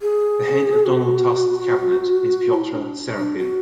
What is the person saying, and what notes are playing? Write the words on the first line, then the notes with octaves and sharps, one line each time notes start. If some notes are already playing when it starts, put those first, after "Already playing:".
The head of Donald Tusk's cabinet is Piotr Serafin.
G#4
F#4
E4
D4
D4
F#4